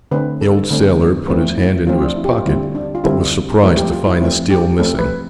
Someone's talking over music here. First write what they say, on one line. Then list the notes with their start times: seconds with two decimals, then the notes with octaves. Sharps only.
The old sailor put his hand into his pocket, but was surprised to find the steel missing.
0.11 D3 A3 C4 B4
0.41 A4
0.70 D3 A3 C4
1.28 F3 A3 C4 B4
1.58 E4
1.87 F3 A3 C4 F4
2.02 D4
2.16 E4
2.25 G4
2.31 F4
2.46 D3 G3 C4 E4
2.75 D4
2.95 F4
3.04 D3 G3 C4 E4
3.63 F3 A3 C4 E4
3.77 G4
3.91 F4
4.07 E4
4.21 F3 A3 C4 E4
4.50 G4
4.79 F3 A3 C4 A4
4.99 B4